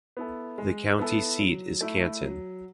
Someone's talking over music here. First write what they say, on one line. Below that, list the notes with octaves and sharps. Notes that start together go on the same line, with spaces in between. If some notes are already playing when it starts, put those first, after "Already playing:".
The county seat is Canton.
B3 E4 A4
G#3
B3 E4 A4
F#3
A3 E4
F#3